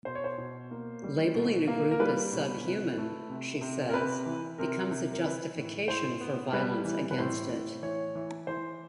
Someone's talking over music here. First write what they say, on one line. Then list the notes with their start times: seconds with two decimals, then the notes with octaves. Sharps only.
Labeling a group as subhuman, she says, becomes a justification for violence against it.
0.05 B2 C5
0.15 C#5
0.24 C5
0.38 B2
0.71 A#3
1.03 G3
1.35 B2
1.68 A#3
1.91 A#4
2.00 G3 B4
2.33 B2
2.65 C3
2.97 A3
3.30 C3
3.61 C3
3.89 A#4
3.94 C3 B4
4.26 E3
4.58 C3 A#4
4.91 C3
5.13 A#4
5.24 E3 B4
5.57 A2
5.88 A2 C5
6.21 B3
6.53 G3 B4
6.85 E3
7.11 B4
7.18 A2 C5
7.50 A2
7.83 E3 C#5
8.15 E3
8.47 E3 C5